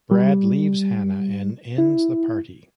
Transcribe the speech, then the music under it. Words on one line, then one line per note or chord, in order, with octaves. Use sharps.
Brad leaves Hannah and ends the party.
G3
E4